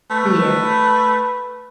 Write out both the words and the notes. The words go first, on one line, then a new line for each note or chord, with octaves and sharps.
Mm, yeah.
A3 B4